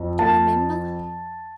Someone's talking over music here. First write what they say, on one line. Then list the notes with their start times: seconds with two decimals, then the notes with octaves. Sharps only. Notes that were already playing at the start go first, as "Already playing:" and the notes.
"Do you remember?"
Already playing: F2
0.19 A5